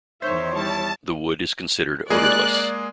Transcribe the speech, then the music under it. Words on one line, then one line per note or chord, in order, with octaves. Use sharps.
The wood is considered odorless.
E2 D#3 C5 C#5 E5
G3 E4 A5
G#3 A#3 G#4 D5 F#6